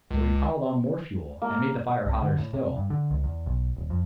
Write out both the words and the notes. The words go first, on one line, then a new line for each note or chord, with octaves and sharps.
So he piled on more fuel and made the fire hotter still.
C#2
A#3
C2
D3
A2
C3
G2
D3
C#2
E2
B1
D#1
F2